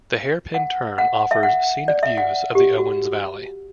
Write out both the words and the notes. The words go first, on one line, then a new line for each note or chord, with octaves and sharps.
The hairpin turn offers scenic views of the Owens Valley.
F#5
F#5
E5
F#5
D5
E5
F#5
G4
F#4